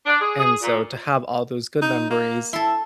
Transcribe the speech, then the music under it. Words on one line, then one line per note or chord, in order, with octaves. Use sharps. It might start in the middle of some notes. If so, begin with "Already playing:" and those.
And so, to have all those good memories
D4
G#4
G#4
A#2
D#4
A#3
E4 A4 C6